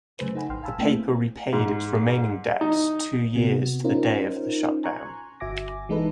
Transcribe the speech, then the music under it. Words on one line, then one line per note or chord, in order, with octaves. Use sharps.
The paper repaid its remaining debts two years to the day of the shutdown.
C#3 F#3 A3 G#4 B4 C5
D#4 A4 F#5 G#5 B5
A1 G5 C6 F6
F5 G#5 A5 B5 E6
A3 A#3 C#4 E4 B4
C4
G#2
D#4
C3 B3 F#4
C#4 D#4 F4 A#4 C5
G#5 A#5 C6 C#6 F#6 G#6
G1 F#4 E5 G#5 D6 A#6
E3 G#3 D#4 A4 B4